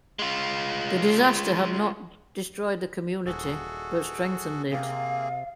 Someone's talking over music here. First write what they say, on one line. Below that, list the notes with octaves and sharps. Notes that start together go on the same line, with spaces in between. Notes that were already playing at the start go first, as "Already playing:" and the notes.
The disaster had not destroyed the community but strengthened it.
G#3 F4
D#1 F#4 G#4 A4
C3 A#3 C4 G#4 F5